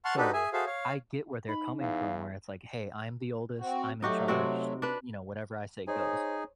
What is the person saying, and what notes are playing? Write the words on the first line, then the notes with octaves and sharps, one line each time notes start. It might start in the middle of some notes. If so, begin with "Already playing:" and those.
So, I get where they're coming from where it's like, "Hey. I'm the oldest. I'm in charge," you know, "Whatever I say goes."
F#5 A5 C6 C#6 F6
D4 D#4 F#4 G4 A4 B4
G#4 E5 G#5
F#4 G#4 A4 C5 E5 F5
C#5 F5
D#4 B5
E2 F5
C4 F#4
F#3 A3 D#4 F#4 G4
C3 C4 F#4
D4 B4
D#4 G#4 C5 C#5 G#5